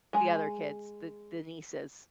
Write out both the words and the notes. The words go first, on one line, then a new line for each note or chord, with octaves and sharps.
the other kids, the the nieces.
G#3 G#4